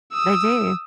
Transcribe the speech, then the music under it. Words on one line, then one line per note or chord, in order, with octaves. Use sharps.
They do.
D#6 E6